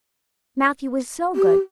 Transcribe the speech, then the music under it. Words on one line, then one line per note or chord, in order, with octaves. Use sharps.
Matthew was so good.
G4